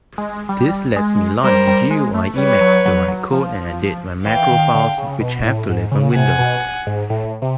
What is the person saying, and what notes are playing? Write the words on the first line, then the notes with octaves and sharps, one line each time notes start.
This lets me launch GUI Emacs to write code and edit my macro files which have to live on Windows.
G#3
G3
G#3
G3 A#4 C5
G3
G#3
A3
G3 B4 C#5
F#3
F#3
F#3
F3
E3 F5 G5
D#3
D3
C#3
B2
A2
G#2
C#3
C3 F#5 G#5
B2
G#2
A2
C3